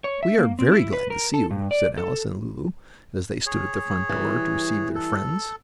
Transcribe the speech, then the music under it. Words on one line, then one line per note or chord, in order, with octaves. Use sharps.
"We are very glad to see you," said Alice and Lulu, as they stood at the front door to receive their friends.
C#5
E5
A#3
C4
E4
B4
A#4
A4
G2
D5
A4
G#4 C#5
E3 G3
A4